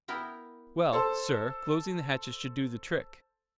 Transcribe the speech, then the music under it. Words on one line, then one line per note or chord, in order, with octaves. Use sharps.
"Well, sir, closing the hatches should do the trick."
B3 E4 A#4 G5
A4 C5